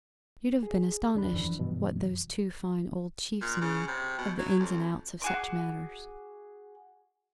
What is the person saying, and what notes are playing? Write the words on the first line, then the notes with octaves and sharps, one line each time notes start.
You'd have been astonished what those two fine old chiefs knew of the ins and outs of such matters.
G#4
D#2 D4 B5
F#2 E3 F3
G2 B2
A#2
C#3
C3
B2
F#3
F2
F#4 G#4 D6